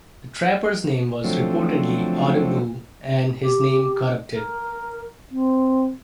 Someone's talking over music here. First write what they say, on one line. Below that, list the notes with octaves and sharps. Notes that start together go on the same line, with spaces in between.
The trapper's name was reportedly Odebeau, and his name corrupted.
D3 F3 F#3 A3 C4
G4
A#4
C4